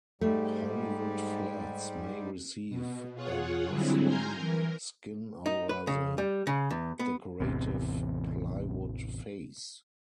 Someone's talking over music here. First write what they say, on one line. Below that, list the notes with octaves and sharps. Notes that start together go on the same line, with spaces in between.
Hollywood flats may receive a muslin skin over the decorative plywood face.
G#2 G3 A3
B2
F4 G#4 C#5 F#5
D3 F#3 G3 C4 E4 G#4
G#5 A#5 C6 F6 G6
E3 A#4
D#4
B4
C#3
G3
C#3
E2
B3
A1 E2 C3